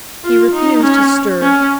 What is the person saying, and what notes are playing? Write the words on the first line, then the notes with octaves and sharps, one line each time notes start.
He refused to stir.
F4
D#4
C#4
C#4